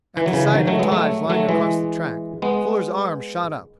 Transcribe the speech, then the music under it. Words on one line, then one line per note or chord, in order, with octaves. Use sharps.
At the sight of ties lying across the track, Fuller's arms shot up.
E3
F#3
C#3 E3
D#3 F#3
F#3 A3
G#3 B3
F#3 A3
F#3 A3
E3 G#3
G#3 B3